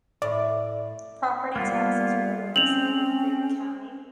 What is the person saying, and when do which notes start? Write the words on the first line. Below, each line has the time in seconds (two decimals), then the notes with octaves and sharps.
Property taxes are the lowest in Renfrew County.
0.22 A2 D5
1.56 G3 A#3 B3 F4
2.56 C4 C#4 F7 F#7